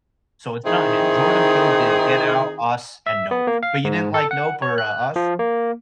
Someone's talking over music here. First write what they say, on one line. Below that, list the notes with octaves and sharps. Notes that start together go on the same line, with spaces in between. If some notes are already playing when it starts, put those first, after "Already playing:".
So, it's not him, Jordan Peele did Get Out, Us, and Nope. But you didn't like Nope or U Us?
D#3 C4 D#4 E4 G#4
E5
B3
A#3
F5
G#2
A4
F#5
C#5
F#6
F3
A#3